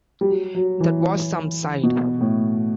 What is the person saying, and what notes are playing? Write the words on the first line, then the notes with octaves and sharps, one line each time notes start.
That was some side.
G3
F#3
F#3
E3
B2
A2